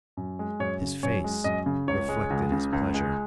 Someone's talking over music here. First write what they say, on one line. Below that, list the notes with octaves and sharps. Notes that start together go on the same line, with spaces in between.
His face reflected his pleasure.
F#2
G#3
F#2 C#5
C#3
F#2 C#5
G#3
F#2 D#5
C#3
C#2 C#5
G#3
C#2
C#3
C#2
G#3